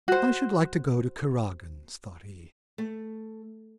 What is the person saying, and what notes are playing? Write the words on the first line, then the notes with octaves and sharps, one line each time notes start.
"I should like to go to Kuragin's," thought he.
F#4 C5
A3